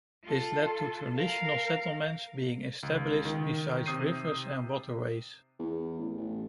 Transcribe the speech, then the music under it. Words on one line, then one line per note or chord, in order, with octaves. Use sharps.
This led to traditional settlements being established beside rivers and waterways.
F4 A4
A#4 F5
C#2
D#3
C3 D#6 G6 C7 D#7
E2
A1
A1